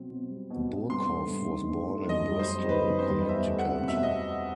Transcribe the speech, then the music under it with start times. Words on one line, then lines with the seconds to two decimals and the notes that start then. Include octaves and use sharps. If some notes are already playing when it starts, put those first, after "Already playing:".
Burghoff was born in Bristol, Connecticut.
Already playing: B2 F#3 C4
0.10 B2
0.30 G3
0.50 B2
0.70 C4
0.90 G2 C6
1.09 A3
1.29 G2
1.49 D#3
1.69 G2
1.89 A3
2.09 F#2 D#5
2.29 G3
2.39 C5
2.48 F#2
2.69 D#3 B4
2.89 F#2
2.99 C5
3.08 G3
3.29 E2 E5
3.48 A3
3.59 F#5
3.68 C4
3.88 B2 E5
4.03 D#5